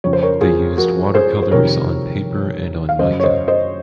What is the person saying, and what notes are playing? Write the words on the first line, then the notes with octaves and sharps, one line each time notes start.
They used watercolours on paper and on mica.
F2 C#3 C#5
C5
A#4 C#5
F4 G#4
F#4 A#4
G#4 C5
C5
F2 C3 D#3 A#4 C#5
F5
F#2 C#3 C5 D#5
C#5
C5 D#5
C5 D#5